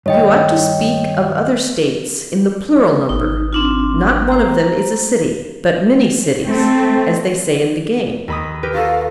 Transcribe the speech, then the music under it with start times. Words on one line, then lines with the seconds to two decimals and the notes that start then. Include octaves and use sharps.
You ought to speak of other States in the plural number; not one of them is a city, but many cities, as they say in the game.
0.06 G2 D#3 C#5 D#5 G5
3.09 G#1 D#4
3.53 C4 D4 F4
4.28 C5 A#5
6.47 A3 C4
8.28 D#2 B5 D#6
8.63 G4 A#4 B4
8.74 F4 F#4 A4 F5